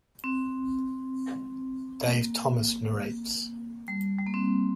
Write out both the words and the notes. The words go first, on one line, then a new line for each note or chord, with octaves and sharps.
Dave Thomas narrates.
C4
A#3
G3
G3
A#3
C4